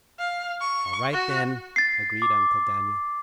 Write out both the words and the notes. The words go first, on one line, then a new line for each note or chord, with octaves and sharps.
"All right, then," agreed Uncle Daniel.
F5
C#6
F#4
A6 C7
D6